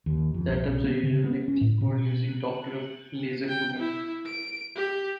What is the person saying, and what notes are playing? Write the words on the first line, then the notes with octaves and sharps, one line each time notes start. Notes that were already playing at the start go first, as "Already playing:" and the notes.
The atoms are usually precooled using the Doppler laser cooling.
D#2
F2
B1
B1
B3
C#3
B3
C#4
A2
B2
G5
E4
D7
G4